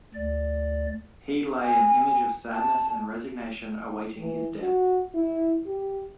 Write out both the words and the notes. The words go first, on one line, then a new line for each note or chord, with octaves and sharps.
He lay an image of sadness and resignation awaiting his death.
D2 D5
G#5
A5
E3
F#4
E4
G4